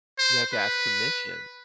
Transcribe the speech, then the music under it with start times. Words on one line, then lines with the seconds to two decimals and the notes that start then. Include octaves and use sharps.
You have to ask permission.
0.19 C5
0.53 B4